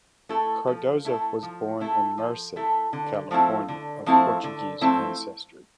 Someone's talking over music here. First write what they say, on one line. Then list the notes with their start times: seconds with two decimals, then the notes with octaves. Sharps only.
Cardoza was born in Merced, California, of Portuguese ancestry.
0.29 A3 E4 A4
0.67 F3
1.05 A3 E4 A4
1.43 F3
1.80 A3 E4 A4
2.18 F3
2.56 A3 E4 A4
2.93 D3
3.31 F3 A3 C4 E4
3.68 D3
4.06 F3 A3 C4 E4
4.44 D3
4.81 F3 A3 C4 E4